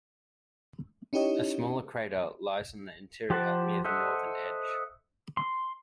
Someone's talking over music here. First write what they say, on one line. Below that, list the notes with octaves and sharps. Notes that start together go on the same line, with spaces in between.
A smaller crater lies on the interior near the northern edge.
C#4 D#4 E4 G4 C#5 D#5
F3 G4 C5 F#5 A5
A4 C5 D#5 E5 F#5
C6